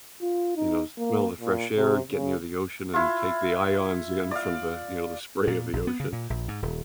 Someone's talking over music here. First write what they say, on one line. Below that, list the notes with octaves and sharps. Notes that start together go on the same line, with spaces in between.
you know, smell the fresh air, get near the ocean, and take the ions in from the, you know, the spray of the ocean,
F4
D#4
A#3
A#2
C3
C#3
E4 F4
D5 F5
A#2
A#1
B3
C#3
A#2
A#1
G#2
D#1